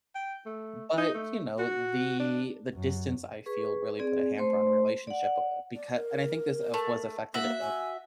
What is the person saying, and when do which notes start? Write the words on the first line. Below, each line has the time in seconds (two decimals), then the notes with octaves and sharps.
But, you know, the the distance I feel really put a hamper on our relationship, bu becau and I think this of was affected, uh,
0.15 G5
0.46 A3
0.98 D#4
1.14 A3
1.59 F#4
2.20 D4
2.75 F#2
3.46 G#4 B4 C#6
3.99 C4 G#4 D5
4.37 A3 C5 C6
5.07 D5 F#5
5.76 D5
5.95 A#4
6.74 A3
7.34 A#3 F#4 E5
7.61 G#5